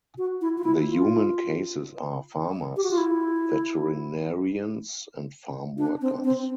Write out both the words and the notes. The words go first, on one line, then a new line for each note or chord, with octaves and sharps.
The human cases are: farmers, veterinarians and farm workers.
F#4
E4
F4
E4
F4
G4
F#4
F4
E4
D4
C4
C4